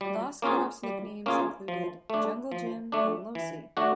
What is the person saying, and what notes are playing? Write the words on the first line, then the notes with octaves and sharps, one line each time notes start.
Loscutoff's nicknames included "Jungle Jim" and "Loscy".
G3
A#3 C#4 F4 G#4
G3
A#3 C#4 F4 G#4
F3
A3 D4
F3
A3 D4
E3
A3 D4 F#4